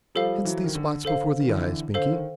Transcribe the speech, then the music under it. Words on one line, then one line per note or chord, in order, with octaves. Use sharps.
Hence these spots before the eyes, Binkie.
F3 G3 A4 C5 F5
E3 F#3
D#3
D3
D3 A4 C5 F5
D#3
D3 E3
D3 A4 C5 F5
D#3